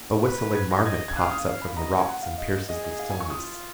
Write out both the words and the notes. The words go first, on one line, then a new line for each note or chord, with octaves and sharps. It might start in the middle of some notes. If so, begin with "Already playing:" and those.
A whistling marmot pops up from the rocks and pierces the stillness.
Already playing: A#6
B4
G#6
A#6
D#5 G#6
G#6
F5 F#6
D#6
F5
B5
D#5 A#5
G#5
F#5
F5
D#5
G#4 D#5
D#5
F5
G#5
C#6
F4 D#6